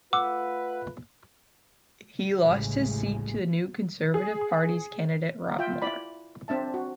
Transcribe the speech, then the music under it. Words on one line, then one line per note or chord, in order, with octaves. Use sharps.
He lost his seat to the new Conservative Party's candidate Rob Moore.
A3 F4 B4 F#5 D6 E6
A1 D2 A2 C#3 G3 G#3
G#4
F4 E5 G5
E4 D5 B5
C4 D4 E5 A5
F#4